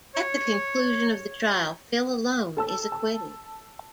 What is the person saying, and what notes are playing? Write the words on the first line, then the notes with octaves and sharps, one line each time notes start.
At the conclusion of the trial, Phil alone is acquitted.
C#5
A4 A5 E6
A5